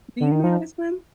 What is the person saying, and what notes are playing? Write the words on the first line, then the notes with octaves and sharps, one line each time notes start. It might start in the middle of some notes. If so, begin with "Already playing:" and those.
Do you know how to swim?
D3
D#3
F3